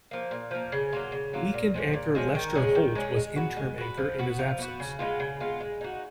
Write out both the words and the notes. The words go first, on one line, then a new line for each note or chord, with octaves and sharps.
Weekend anchor Lester Holt was interim anchor in his absence.
F3 A#3
A#2
F3 A#3
C#3
F#3 A#3 F4
C#3
F#3 A#3 F4
A#2
F3 G#3 C#4
A#2
F3 G#3 C#4
D#3
G#3 C#4 G#4
D#3
G#3 C#4 G#4
G#3
B3 F#4
G#3
B3 F#4
F3
B3 F#4
F3
B3 F#4
C#3
G#3 B3 F4
C#3
G#3 B3 F4
G#3
D#4 F#4